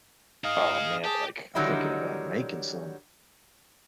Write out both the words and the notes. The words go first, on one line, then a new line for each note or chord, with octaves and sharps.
Oh, man, like, I'm thinking about making some.
D#4 G#4 D#5 F5
G4 G#4 A5
D3 D#3 F#3 G3 D#4 E4